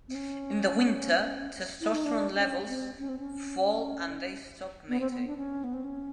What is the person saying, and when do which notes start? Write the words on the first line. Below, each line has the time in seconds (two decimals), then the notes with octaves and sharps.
In the winter, testosterone levels fall and they stop mating.
0.08 C4
0.15 C#4
1.81 E4
1.92 D#4
2.05 D4
2.36 C#4
2.67 C4
2.99 C#4
3.09 C4
3.19 C#4
4.89 B3
5.00 C4
5.11 B3
5.27 D4
5.37 C#4
5.64 B3
5.74 C4
5.84 C#4